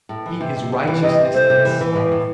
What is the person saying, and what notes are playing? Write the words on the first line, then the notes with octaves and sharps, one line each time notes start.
He is righteousness itself.
A2
E3
C3
C3
C3
E3
C3 D#5
C3
A3 C5
C3
E3
E3
A2
A2